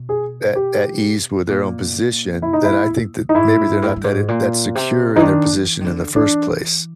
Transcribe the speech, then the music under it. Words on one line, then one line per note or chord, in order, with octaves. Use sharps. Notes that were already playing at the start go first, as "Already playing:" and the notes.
at at ease with their own position, then I think that maybe they're not that it that secure in their position in the first place.
Already playing: B2
G#4
G4
A#2
E4
D#4
E4
D#4
G#2 E4
A2
G#2
G2
G#2
A#2
C3
E3 D#4
D#3 D4
E3
D#3
D3
E3 D4